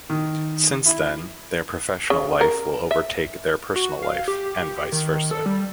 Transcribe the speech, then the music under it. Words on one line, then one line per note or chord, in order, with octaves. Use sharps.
Since then, their professional life will overtake their personal life, and vice versa.
D#3
E4
C#3
A#4
E5
F#4
F5
G4
D#3
A4
G3